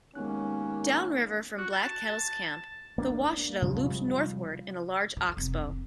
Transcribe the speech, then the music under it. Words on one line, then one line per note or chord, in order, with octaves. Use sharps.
Downriver from Black Kettle's camp the Washita looped northward in a large oxbow.
D#2 G#3 A#3 B3 C#4 F#6
F#4
A5
A#3 C#4 D4
C3 F3 G3 G#3
D3
F1
F2